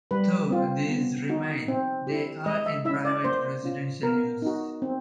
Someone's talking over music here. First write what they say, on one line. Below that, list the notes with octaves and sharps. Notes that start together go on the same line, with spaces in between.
Though these remain, they are in private residential use.
G3 B4
C4 F4
B3
D#4 F#4
C4
E4 G4
G#3 D#5
E5
C#4 E4 E5
D5
A#3 C5
C#4 F4
B3 A#4
D#4 F#4
C4